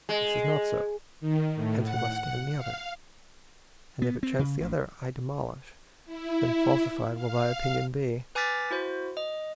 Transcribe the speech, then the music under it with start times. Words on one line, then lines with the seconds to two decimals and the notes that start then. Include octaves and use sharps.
This is not so; hence we must scan the other, And if it chance the other I demolish, Then falsified will thy opinion be.
0.09 G#3
1.20 D#3
1.55 A2
1.84 F#5
2.57 F5
4.02 B3
4.23 C4
4.39 C#3
4.60 A1
6.05 E4
7.13 F5
8.35 B4 G#5 D6 F6 A6 B6
8.71 E4 F#4 C5
9.17 D#5